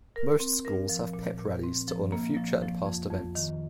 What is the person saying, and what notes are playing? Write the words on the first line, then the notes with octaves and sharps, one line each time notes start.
Most schools have pep rallies to honor future and past events.
A#4
C4
A#4
F3
A#2
A#2
C4
F3
A#3
F3
F3
F2
F2
D#3